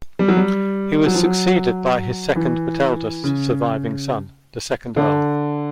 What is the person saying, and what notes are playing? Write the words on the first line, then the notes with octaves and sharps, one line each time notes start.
He was succeeded by his second but eldest surviving son, the second Earl.
G3
F#3
G3
F#3
F3
F#3
E3
C#3
D3